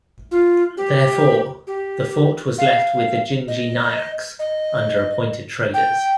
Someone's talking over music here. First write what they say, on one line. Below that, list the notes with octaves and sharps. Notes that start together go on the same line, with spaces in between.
Therefore, the fort was left with the Gingee Nayaks under appointed traders.
F4
G4
G4
F5
D#5
D#5
G5